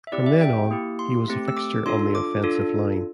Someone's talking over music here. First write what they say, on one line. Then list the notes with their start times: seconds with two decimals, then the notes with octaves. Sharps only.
From then on, he was a fixture on the offensive line.
0.07 E5
0.12 C4 E4 G4 D5
0.26 E5
0.41 G5
0.71 A#3 E4 G4
0.99 C6
1.28 A3 C4 G4
1.48 E6
1.57 D6
1.86 D4 F4 A4 C6
2.15 D6
2.44 D4 F4 A4